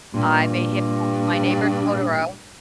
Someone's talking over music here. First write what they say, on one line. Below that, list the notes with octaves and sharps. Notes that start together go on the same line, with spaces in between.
I made him watch My Neighbor Totoro.
G2 A#2